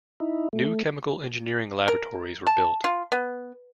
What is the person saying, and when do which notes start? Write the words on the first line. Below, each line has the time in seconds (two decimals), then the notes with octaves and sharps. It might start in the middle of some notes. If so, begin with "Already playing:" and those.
New Chemical Engineering Laboratories were built.
0.20 D#4 E4
0.53 A3
1.88 A#4
2.47 A5
2.84 F4
3.12 B3